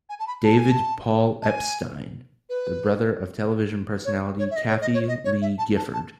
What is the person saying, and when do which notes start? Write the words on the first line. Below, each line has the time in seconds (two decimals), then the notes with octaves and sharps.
David Paul Epstein, the brother of television personality Kathie Lee Gifford.
0.09 G#5
0.19 A5
0.27 B5
0.44 A5
0.57 G#5
0.71 A5
1.42 A5
1.47 G#5
2.49 B4
4.05 C#5
4.39 C#5
4.51 E5
4.56 D#5
4.68 C#5
4.81 D#5
4.94 C#5
5.07 D#5
5.24 C#5
5.41 E5
5.58 A5
5.76 A5
5.93 A5